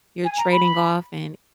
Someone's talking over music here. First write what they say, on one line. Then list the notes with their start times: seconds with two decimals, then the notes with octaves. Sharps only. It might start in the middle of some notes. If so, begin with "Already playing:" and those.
you're trading off and
0.25 G#5
0.38 A#5
0.51 B5